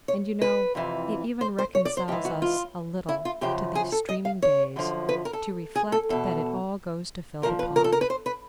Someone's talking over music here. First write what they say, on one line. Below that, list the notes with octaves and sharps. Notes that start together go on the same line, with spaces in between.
And you know, it even reconciles us a little to these streaming days to reflect that it all goes to fill the pond.
C#5
B4
F2 C3 E3
C5
C5
C#5
D5
C5
G#2 E3 G4
F#4
F4
E4
F4
F#2 C#3 F3 G4
G#4
A4
D#5
F5
C#5
F#2 D3 F3
B4
A#4
A4
G#4
A4
E2 B2 A4
A#2 F3 A#4
B4
A#4
A4
A#4
B4
C5
B4